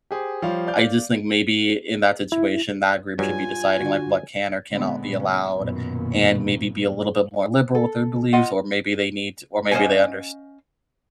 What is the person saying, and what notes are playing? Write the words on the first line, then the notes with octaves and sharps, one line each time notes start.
I just think maybe in that situation, that group should be deciding, like, what can or cannot be allowed, and maybe be a little bit more liberal with their beliefs, or maybe they need to, or maybe they underst
G4 G#4 C5
F3 G3 C5 C#5 F5
D5 F5 G6
E4
G2 F#3 F4 G#5
D3 F#4
A#2 D3 G#3 B3 C4
C#3 C#4
B1 F#2 A#2 D#3 A#3 B3
A4
F4 D#5 F#5
C#4 C5 D#5 F5 F#5 G#5